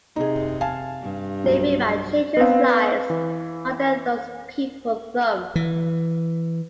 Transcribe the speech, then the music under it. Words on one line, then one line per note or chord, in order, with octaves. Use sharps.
Leaving my children's lives under those people thumb.
C3 D#4 G#4
F5 G#5 A5
G2
B1
B3 C4 B4 F5
E3
E3